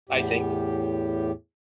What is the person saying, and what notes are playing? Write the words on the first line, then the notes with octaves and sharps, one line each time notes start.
I think
E2 A2 G4